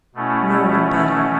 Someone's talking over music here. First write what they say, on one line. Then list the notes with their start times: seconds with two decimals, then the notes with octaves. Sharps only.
No one better.
0.15 B2 A3 C#4 E4